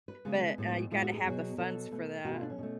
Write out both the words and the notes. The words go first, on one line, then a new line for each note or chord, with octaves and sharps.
but uh you gotta have the funds for that.
B4
C#3 G#3 B3
A2 G#3 B3
A2 G#3 B3 F4
F#4
G#4
B2 F#3 B3
B2 F#3 B3 A4
B2 A3
B2 A3 F4 F#4
D4
C#4
B2 A3